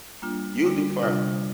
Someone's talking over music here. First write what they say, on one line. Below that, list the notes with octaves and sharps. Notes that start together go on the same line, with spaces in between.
you'll do fine.
G3 A#3 D4 F4
D3 G3 D4
C3 G3 D4 F4